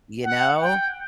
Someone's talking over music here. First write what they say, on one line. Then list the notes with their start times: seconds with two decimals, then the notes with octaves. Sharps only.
You know?
0.25 F#5
0.61 G5